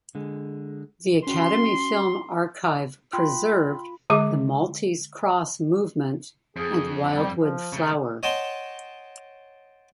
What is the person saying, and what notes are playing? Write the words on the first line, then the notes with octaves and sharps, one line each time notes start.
The Academy Film Archive preserved "The Maltese Cross Movement" and "Wildwood Flower".
D3 G#3
C#4 F#4 G5 C6
F4 G5 B5 C6
D3 G#3 G#4 D6
F2 G#4
G3
F3
C#3 A3
C#5 D#5 F#5 G5 A5 C6